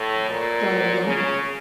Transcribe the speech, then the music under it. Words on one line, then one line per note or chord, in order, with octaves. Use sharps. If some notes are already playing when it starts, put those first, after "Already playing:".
Got Any Gum?
Already playing: A2
A#2
C#3